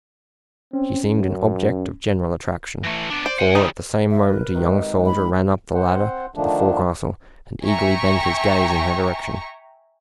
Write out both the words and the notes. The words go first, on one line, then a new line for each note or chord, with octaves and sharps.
She seemed an object of general attraction, for at the same moment a young soldier ran up the ladder to the forecastle, and eagerly bent his gaze in her direction.
C4 C#4
F#2
E3 A3
B3 D4
C5 D5
F#5 G#5
C#3 G3 D#4
E5
A#4 B4
G#2 C3 D#3
B5
C4 C5 F#5
D3 D#3 F3 A3 D4
E5 G5 G#5 A#5 C#6